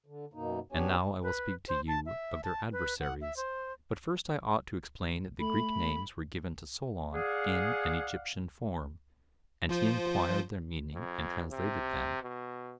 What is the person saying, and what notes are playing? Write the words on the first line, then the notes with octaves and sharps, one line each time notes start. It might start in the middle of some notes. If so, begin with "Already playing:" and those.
And now I will speak to you of their adversaries, but first I ought to explain that the Greek names were given to Solon in an Egyptian form, and he enquired their meaning and translated them.
D3
F#2 B2 A#3 D#4
B3 D4 G4 C#5 G#5
B4
C5
A5
E5
A5
B4
F#5
E5
C5
A3 B5
G#4 D5 F5 F#5
F3 F4 C5
F2
C3
B2